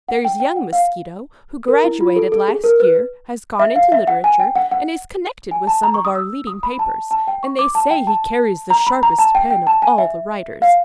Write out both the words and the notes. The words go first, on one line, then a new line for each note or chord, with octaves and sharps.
There's young Mosquito, who graduated last year, has gone into literature, and is connected with some of our leading papers, and they say he carries the sharpest pen of all the writers.
F#5
G5
G5
F#5
F5
A#4
E4
F4
A4
A4
G#4
A#4
B4
E5
F5
E5
F#5
G#5
G5
F#5
F#5
G#5
A5
A#5
C#6
D#6
E6
D#6
B5
A5
A5
G5
C#6
D6
A5
G5
A5
A#5
B5
A#5
A5
G5
G5
A5
G#5
E5
F5